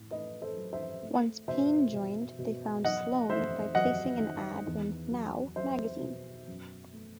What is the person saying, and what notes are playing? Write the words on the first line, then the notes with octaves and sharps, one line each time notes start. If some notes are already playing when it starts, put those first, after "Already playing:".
Once Payne joined they found Slone by placing an ad in "Now" magazine.
Already playing: A2
A3 B4 D#5
A4 C5
F#3
C5 E5
A3
B2 C5 E5
B2
B2
F#3 D#5 F#5
A3 C5 E5
F#3 D#5 F#5
D#3
E2
F#3
F#3 C5 E5
B2
F#2
A3